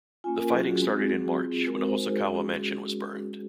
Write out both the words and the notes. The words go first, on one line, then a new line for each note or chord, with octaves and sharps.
The fighting started in March when a Hosokawa mansion was burned.
A#3 C#4 F4 G#5
A#4
F#3 C#4 F4 G#4
F#4
G#4
G#3 C4 D#4 F#4 G#4
F#3 C4 F#4 G#4
C4 F4
G#3 C4 F#4 A#4
C5
G#3 D#4 F#4 A#4
G#4
G#3 C#4 F#4 G#4